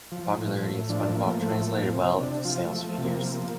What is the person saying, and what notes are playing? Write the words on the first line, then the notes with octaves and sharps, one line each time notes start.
The popularity of SpongeBob translated well into sales figures.
F3
A2
A2
F3 D4
F3 A#3
A3
A#3
A2 A3
F3 A#3
C3 C4
C3 D4
F3 F4
A3
F3
A3
C3
A#3
F3